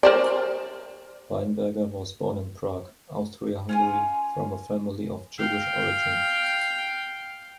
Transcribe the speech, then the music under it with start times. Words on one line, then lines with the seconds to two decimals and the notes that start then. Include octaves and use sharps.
Weinberger was born in Prague, Austria-Hungary, from a family of Jewish origin.
0.03 A#4 C5 D5
3.69 C#4 F4 G#5
5.38 F5 G5